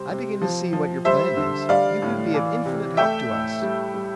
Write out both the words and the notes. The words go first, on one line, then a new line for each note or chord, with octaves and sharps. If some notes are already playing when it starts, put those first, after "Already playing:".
I begin to see what your plan is. You can be of infinite help to us.
Already playing: C3 G3 C5
C3
F3
F3
G3 C5 E5
D3
G3 D5 F5
A2
E3
C3
A3 E5 G5
A2
G3
G3